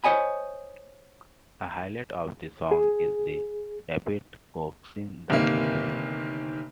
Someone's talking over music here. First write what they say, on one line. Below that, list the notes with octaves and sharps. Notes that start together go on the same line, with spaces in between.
The highlight of the song is the rabbit coaxing the king.
C5 C#5 D#5 G#5 B5
G#4
G1 C3 D#3 A#3